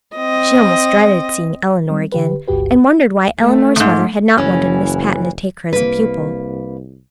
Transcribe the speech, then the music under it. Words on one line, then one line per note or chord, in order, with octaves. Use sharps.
She almost dreaded seeing Elinor again, and wondered why Elinor's mother had not wanted Miss Patten to take her as a pupil.
C4 D#5
G3 C4
D3 G4 B4
G1 C#2 G2 F#4 G4 B4
A3
E2 G#2
F#1 E3 C#4
C2 A#3 B4